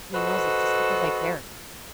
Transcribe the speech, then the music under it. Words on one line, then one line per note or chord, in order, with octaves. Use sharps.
he knows it's just because I care.
F#4 A4 B4 C5 D#5